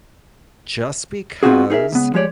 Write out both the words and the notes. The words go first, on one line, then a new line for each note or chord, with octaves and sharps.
just because
B3 C4 D#4 F4 F#4 G#4
D#4 G#4 A#4 E5
C#2 B3
F3 G#3 G4 C#5 D5